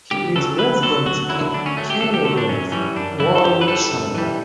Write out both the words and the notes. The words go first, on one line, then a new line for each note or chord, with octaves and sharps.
He is resident in Kenilworth, Warwickshire.
D2 G4
C#3 F#3 A4
D2 B4
D3 F#3 A4
D2 F#4
D3 F#3 E4
D2 D4
C#4
D3 A3
F#3
G4
D2 A4
G4
D3 F#3 A4
D4
F#2 C#4
E3 G3 C#4
F#2 D4
E3 G3 E4
A4
F#2 G4
B4
E3 G3 A4
F#2
E3 G3